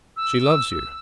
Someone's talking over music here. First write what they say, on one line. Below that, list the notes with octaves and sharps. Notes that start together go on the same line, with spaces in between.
She loves you.
E6